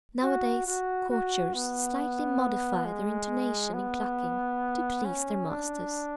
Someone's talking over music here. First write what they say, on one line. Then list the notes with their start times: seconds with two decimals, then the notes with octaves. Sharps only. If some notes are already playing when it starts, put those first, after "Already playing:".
Nowadays, courtiers slightly modify their intonation in clucking to please their masters.
0.22 F#4
0.66 F#4
1.10 F#4
1.54 B3
2.85 G#3
3.73 B3
5.05 C#4
5.49 D4